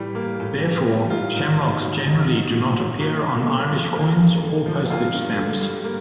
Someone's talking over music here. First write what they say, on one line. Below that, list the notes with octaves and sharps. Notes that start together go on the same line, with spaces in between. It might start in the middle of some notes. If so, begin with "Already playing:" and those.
Therefore, shamrocks generally do not appear on Irish coins or postage stamps.
Already playing: A2 E3 G3
A#3
A2
E3
G3
G#2 F4
G#2
D#3
F#3
G#2
G#2
D#3
F#3
A#3 F#4
G2
D3
F3
A#3
G2
D3
F3
A#3 F4
G2
D3
G3
A#3